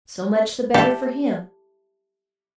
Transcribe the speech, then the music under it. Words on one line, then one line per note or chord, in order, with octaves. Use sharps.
So much the better for him.
E4 G4 A4